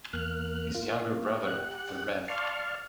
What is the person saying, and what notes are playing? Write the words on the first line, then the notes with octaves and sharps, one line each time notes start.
His younger brother, the Rev.
E2 A#3 F6 F#6
A#3 F4
G4 F#5 F#6
D5 F5 A5 C6 C#6 F6